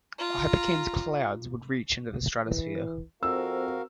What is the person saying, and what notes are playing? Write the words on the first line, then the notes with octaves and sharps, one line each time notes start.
A hypercane's clouds would reach into the stratosphere.
F4 A#5
E3
F2 C4 F#4 A#4 F5 E6